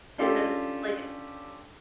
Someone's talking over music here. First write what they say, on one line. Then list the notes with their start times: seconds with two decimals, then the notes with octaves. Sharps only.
and then, like,
0.18 C#4 D4 F4 G4 A4